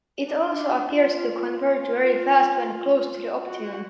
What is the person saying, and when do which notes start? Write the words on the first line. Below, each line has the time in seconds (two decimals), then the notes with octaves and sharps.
It also appears to converge very fast when close to the optimum.
0.25 D4
0.89 F4
1.53 F4
3.46 F#4